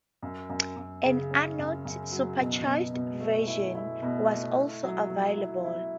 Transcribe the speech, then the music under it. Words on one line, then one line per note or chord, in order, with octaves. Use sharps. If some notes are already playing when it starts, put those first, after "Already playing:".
An Arnott supercharged version was also available.
F#2
F#2
F#2
C#3
C#4
F#2
F#2
F#3
B2
B2
B2
A3
E4
E4
B2
A3
E4
F#3
F#3
E4
E4